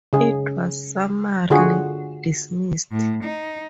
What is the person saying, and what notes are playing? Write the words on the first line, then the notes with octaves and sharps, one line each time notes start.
It was summarily dismissed.
C#3 G#4
D3 F4 F#4 G#4
A2
D#4